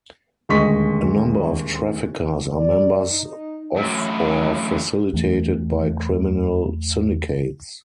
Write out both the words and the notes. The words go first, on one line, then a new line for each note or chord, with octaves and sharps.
A number of traffickers are members of or facilitated by criminal syndicates.
D#1 D2 G#3 D#5 C#6 B6
D5
D#4
F#2 A2
E2 E3 A3